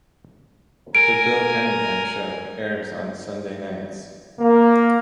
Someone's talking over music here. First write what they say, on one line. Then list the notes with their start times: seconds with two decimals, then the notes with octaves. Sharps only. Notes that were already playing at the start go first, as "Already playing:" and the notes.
"The Bill Cunningham Show" airs on Sunday nights.
0.95 A#4 G#5 D7
4.39 A#3